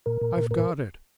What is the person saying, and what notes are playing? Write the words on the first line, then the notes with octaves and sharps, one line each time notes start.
I've got it!'
A#2 A#4
A#2
A#2
A2 A#4